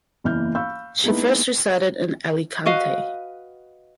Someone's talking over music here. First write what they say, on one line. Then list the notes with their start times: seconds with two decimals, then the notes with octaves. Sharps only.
She first resided in Alicante.
0.24 F#1 E2 E3 A#3 F6 G6
0.55 F5 B5 C#6 E6 G6
1.04 G#3 A#3 B3 D#4 E4 B4
2.66 F#4 B4 D#5 F5